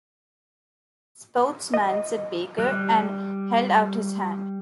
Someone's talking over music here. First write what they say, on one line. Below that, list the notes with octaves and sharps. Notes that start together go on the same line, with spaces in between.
"Sportsman," said Baker and held out his hand.
D#5
G3 F#6